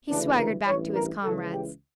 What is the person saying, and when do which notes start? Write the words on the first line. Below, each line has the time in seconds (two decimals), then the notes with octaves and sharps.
He swaggered back to his comrades.
0.09 D2 C#3 E3 D4
0.37 A#4
0.66 A1 G2 E3 C#5
0.94 A#4
1.23 C#2 C#3 E3 A4
1.51 G4